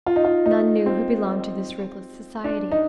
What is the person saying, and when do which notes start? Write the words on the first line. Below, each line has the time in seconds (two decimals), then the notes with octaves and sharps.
None knew who belonged to this ruthless society.
0.06 F4
0.16 D#4
0.24 F4
0.46 D#4
0.86 C4
2.44 D4
2.72 D#4